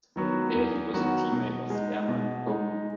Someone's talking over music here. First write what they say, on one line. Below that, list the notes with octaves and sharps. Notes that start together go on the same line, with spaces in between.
There he was a teammate of Herman Boone.
D#3 F#3 B3 F#4
E2
D#3 F#3 B3 F#4
B2
G#3 D#4
B2
G#3 D#4